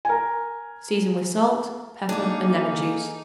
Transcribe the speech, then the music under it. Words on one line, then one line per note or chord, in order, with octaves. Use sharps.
Season with salt, pepper and lemon-juice.
A#4 G#5
A#3 D4 D#4 G#4 A4